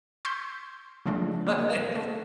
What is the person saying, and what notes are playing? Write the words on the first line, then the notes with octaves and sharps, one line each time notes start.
but it is
C6 C#6 E6 G6 G#6 B6
C#3 F3 G#3 A3 D4
A#3
A3